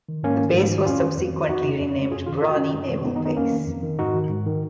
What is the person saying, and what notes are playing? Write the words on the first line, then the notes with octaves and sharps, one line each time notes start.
The base was subsequently renamed Brani Naval Base.
D#3
G#2 A#3 C#4
D#3
G#2
D#3
F2 C#4 F4
D#3
F2
D#3
F2 D#4 F#4
C#3
F2
C#3
F#2 F4 G#4
D#3 F4 G#4
F#2 F4
F#4
D#3 C#4 F4
F#2
D#3
F#2 B3 D#4
B3 D#4
D#3
B3 D#4
F2 A#3 C#4
D#3
F2
D#3
G#2 D#4 F#4
D#3
G#2
D#3